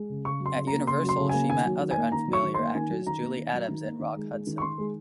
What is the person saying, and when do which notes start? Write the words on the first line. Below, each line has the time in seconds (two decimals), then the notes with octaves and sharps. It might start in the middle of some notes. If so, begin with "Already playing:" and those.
At Universal, she met other unfamiliar actors Julie Adams and Rock Hudson.
Already playing: G#3
0.10 C#3
0.25 C#3 C#6
0.40 F#3
0.46 C6
0.56 C#3
0.67 A#5
0.72 A#3
0.87 C#3 C6
1.03 F#3
1.09 C6
1.18 C#3
1.29 A#3 G#5
1.49 D#3 G#5
1.65 F#3
1.81 D#3
1.91 G#5
1.97 A#3
2.12 D#3 A#5
2.28 F#3
2.33 C#6
2.43 D#3
2.54 A#3 C6
2.75 D#3 G#5
2.90 F#3
3.07 D#3 A#5
3.22 A#3
3.37 D#3
3.53 F#3
3.69 D#3
3.85 A#3
4.00 D#3
4.16 G#3
4.31 G#3
4.47 D#3
4.58 C#6
4.62 D#3 C6
4.78 G#3